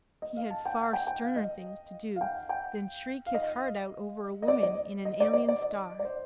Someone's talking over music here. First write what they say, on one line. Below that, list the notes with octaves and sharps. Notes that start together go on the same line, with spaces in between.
He had far sterner things to do than shriek his heart out over a woman in an alien star.
D#5
F5
A5
G5
A5
G5
G5
F5
D#5
F5
G5
G5
F5
D#5
D#5
D5
D5
D#5
D5
D5
D5
D#5
D5
C5